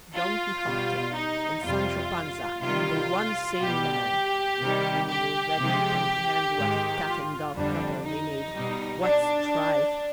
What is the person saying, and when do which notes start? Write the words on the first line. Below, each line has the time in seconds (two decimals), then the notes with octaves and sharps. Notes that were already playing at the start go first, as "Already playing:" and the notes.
Don Quixote and Sancho Panza in the one same man! you will readily comprehend what a cat-and-dog couple they made! what strife!
0.15 F4
0.65 B2 G3
1.14 D#4
1.62 F2 C3 G3 F4
2.61 C3 D#3 G3 F4
3.60 B2 G3 G4
4.60 C3 D#3 G3
5.08 G4
5.58 C3 F3 G#3
6.57 G#2 D#3 G#3
7.06 F4
7.55 F2 D3 G3 D4
8.05 D#4
8.55 B2 G3
9.04 D4